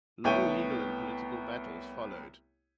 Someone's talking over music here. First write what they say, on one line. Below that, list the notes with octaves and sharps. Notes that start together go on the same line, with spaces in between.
Long legal and political battles followed.
C2 A3 B3 C#5 G5 D#7